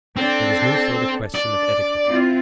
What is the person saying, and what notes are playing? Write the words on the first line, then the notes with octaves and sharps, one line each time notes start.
There was no further question of etiquette.
C4 D4 A4
D4 D5
C4 E4 F4